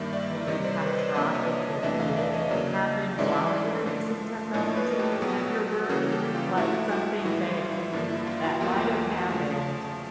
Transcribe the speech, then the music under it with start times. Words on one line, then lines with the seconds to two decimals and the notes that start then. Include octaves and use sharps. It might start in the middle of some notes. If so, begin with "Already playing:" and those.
maybe catastrophic that did happen while you were using technology at your work? Like, something that you w that might have happened
Already playing: G2 D#3 G3 A#3 D5 E5
0.13 D5 E5
0.47 C3 D#3 G3 C#5 D#5
0.64 C5 D5
0.81 B4 C#5
0.93 D#5
0.98 C5 D5
1.15 C3 F3 A#3 D4 D#5
1.25 E5
1.35 C#5 D#5
1.83 E2 C3 E3 A3 D4 D5 E5
2.00 D#5 F5
2.16 D5 E5
2.33 C#5 D#5
2.50 C#3 F#3 A#3 D4
3.18 G#2 E3 G#3 C#4 E4 D5 E5
3.86 D3 F3 A3
4.53 A2 F3 A#3 D4 C#5 D#5
4.76 B4 C#5
4.91 A#4
4.99 G4 A4
5.16 G4
5.21 B2 F#3 B3 F#4 G#4
5.84 A4
5.89 C#3 E3 G3 A#3 C#4 F#4 G#4
6.12 G4 A4
6.35 F4 G4
6.57 G#2 F3 A3 E4 F#4
6.91 E4 F#4
7.25 A2 E3 G3 E4 F#4
7.48 F4
7.70 E4
7.93 G2 D3 F3 A#3 D4 E4
8.10 E4
8.27 F4
8.44 E4 F#4
8.61 E2 B2 F#3 A#3 F4 G4
9.17 F#4
9.29 C#3 F3 A3 F4